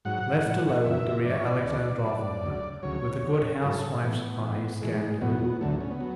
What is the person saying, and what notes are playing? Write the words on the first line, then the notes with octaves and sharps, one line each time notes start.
Left alone, Darya Alexandrovna, with a good housewife's eye, scanned her room.
G#2 F#3 F#5
A2 E3
F#2 C#3 E3 E5
G#2 E3 D5
C#5
D5
D2 C#3 E3
A2 F#3
D2 C#3 F#3
D2 C#3 F#3 C#5
E2 D3 F#3
G#2 F#3 A4
A4
A2 E3 B3
A2 E3
A2 E3 G#3
E2 B2 F#3 B3
D2 D3 F#3 A3
C#4
B3
F#3